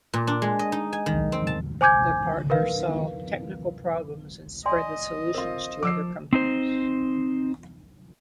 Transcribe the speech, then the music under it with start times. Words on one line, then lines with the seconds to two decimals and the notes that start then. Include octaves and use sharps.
The partners solved technical problems and spread the solutions to other companies.
0.13 A#2
0.27 D4
0.42 G#3
0.59 D#5
0.72 D#4
0.93 G#5
1.06 D#3
1.32 C4
1.47 A5
1.81 C5 G#5 D6 G6 G#6
2.50 A#4 B4 F5
4.66 D5 D#5 G#5 C6
5.35 C4 F4 A#4
5.83 F3 D6 E6 C7
6.33 C4 D#4 C5